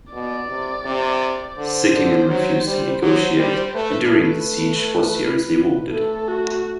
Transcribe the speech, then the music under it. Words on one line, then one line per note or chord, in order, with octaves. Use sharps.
Sickingen refused to negotiate, and during the siege was seriously wounded.
B2 D5
C3
C3
D3 C5
D3
F#3
G3
F#3 C5
G3
A3 B4
A3
A3 A4
F#4